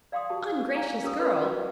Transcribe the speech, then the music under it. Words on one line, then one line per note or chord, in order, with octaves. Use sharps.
Ungracious girl!
D5 F5 G5 C6 D6 D#6
F#4 G4 A5
D5 F5 G#5 A#5 C#6 D6
C#4 G4 A#4 D#6
A4 B4 C#5 D5 B5 C6
F#4 A#4